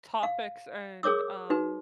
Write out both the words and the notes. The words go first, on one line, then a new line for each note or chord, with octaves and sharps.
topics and um
F5
G#4 A#4 C#5 D6 E6
D#4 F#4 B4